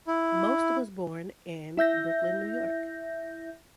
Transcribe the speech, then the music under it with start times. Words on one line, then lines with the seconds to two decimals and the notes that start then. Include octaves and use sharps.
Most was born in Brooklyn, New York.
0.07 E4
1.77 E4 E5 G6 A#6